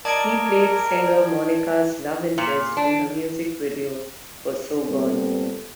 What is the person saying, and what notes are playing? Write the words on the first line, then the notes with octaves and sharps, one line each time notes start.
He played singer Monica's love interest in her music video for "So Gone".
A#4 D5 D#5 A5 G#6 D7
A#2
D4
A#2 G3 B3 C4 A4